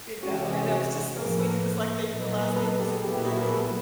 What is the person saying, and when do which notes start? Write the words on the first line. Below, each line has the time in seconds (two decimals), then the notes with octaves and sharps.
you know, and that was just so sweet, 'cause it's like they realized there was nothing
0.23 C3 E3 G#3 C#4 F#4
0.46 G4
0.69 F#4 G#4
1.15 A2 F3 A#3 G#4 A#4
1.39 A4 B4
2.09 A#2 F#3 B3 D#4
2.56 A4 B4
2.79 G4 A4
2.92 G#4
3.02 A#2 F#3 B3 E4 G4
3.14 G4
3.26 F#4 G#4
3.38 G#4 A#4
3.49 A4 B4